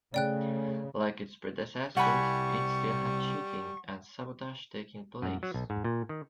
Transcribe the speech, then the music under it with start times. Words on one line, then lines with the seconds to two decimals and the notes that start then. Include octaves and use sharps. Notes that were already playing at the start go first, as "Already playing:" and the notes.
Like its predecessors, it still had cheating and sabotage taking place.
0.14 C#3 A3 D5 G5 F#6
1.97 C2 G3 F#5 G#5 B5 C#6
5.22 F#2
5.43 F#3
5.54 B1
5.70 G#2
5.84 A#2
6.09 D#3